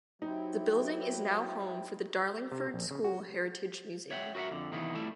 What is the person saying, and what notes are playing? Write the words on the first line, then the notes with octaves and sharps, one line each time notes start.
The building is now home for the Darlingford School Heritage Museum.
F#3 C4 D#4 E4 G4
C3
A#1
C#3
F#4
C#5 E5 F#5 G5
F#4 A#4 D#5 E5 F#5
F2 D3
C3 D#3 E3 A#3 B3
F2 G3 A3 E4 E5